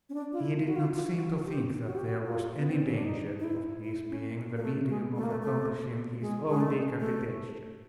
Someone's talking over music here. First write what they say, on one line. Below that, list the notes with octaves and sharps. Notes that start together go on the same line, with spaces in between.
He did not seem to think that there was any danger of his being the medium of accomplishing his own decapitation.
C#4
D4
F4
E4
F#4
F4
E4
F4
F#4
G4
F#4
G4
F#4
F4
B3
C4
C#4
D4
D#4
D#4
E4
E4
C#4
A#3
A3
G#3
A3
A#3
A3
A3
G#3
G#3
A3
A3